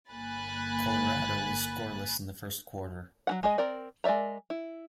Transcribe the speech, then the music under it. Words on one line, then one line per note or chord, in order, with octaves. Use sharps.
Colorado was scoreless in the first quarter.
G1 A#3 G#5 B5 F#6 A6
F#3 C#4 F#5
G#3 G#4 D#5
C4 A#4 D5
G#3 A#4 D5 E5 A#5
E4